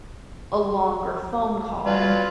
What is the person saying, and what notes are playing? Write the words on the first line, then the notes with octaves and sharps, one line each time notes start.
a longer phone call
F#3 G3 F4 B4